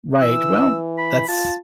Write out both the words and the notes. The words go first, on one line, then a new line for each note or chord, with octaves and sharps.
Right. Well, that's
E3 E6
B5
F4 A5